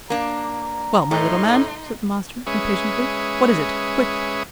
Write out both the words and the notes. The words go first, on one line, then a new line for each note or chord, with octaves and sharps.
"Well, my little man," said the master, impatiently, "what is it? quick!"
A#3 D4 A#5
A2 A3 D#4 C6
G#3 C#4 B4 E5 C#6 D#6